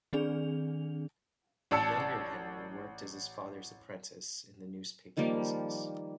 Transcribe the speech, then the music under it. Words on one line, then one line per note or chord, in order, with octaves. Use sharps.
The younger Henry worked as his father's apprentice in the newspaper business.
D#3 C4 D4 G#4 D5 F7
A1 D5 A5 E6 C#7
D#3 F3 G3 A#3